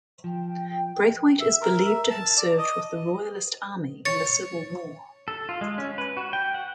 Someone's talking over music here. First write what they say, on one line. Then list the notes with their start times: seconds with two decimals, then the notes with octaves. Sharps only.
Brathwait is believed to have served with the Royalist army in the Civil War.
0.24 F3 G5
1.40 E5
1.61 A#4
1.86 E5
2.10 A5
2.37 D5
2.58 D#5
4.05 C#5 A6 C#7
5.28 A4
5.49 F4
5.61 G#3
5.78 C#4
5.98 B4
6.17 F#4
6.33 G5
6.54 F#5